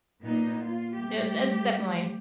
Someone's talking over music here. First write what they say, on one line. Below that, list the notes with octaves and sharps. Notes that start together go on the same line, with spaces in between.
that that's definitely
A#2 A#3 B3 D#4
F4
G3 A3 G4